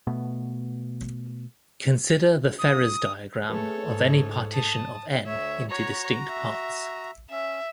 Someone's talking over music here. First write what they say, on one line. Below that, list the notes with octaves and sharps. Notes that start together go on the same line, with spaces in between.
Consider the Ferrers diagram of any partition of "n" into distinct parts.
B2 A3 B3
D#6
A3 G#4 A4 B4 C#5
G#2
A5 D#6
D2 C#5 E5
F#4 C#5 A#5
E5
C#4 E5